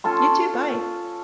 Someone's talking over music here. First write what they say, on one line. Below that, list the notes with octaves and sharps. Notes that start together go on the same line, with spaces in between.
You too. Bye.
C#4 F4 A4 C6